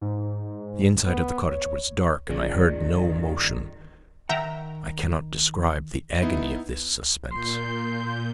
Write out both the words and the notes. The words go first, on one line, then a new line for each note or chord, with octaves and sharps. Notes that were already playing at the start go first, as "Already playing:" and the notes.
The inside of the cottage was dark, and I heard no motion; I cannot describe the agony of this suspense.
G#2
B3
C#5
G1 A#2 D3 D#3 C#4 F4 G#4 D5
D#3 E5 F#5 G5 A#5
B3 D#4 E4
A#2 C6 G6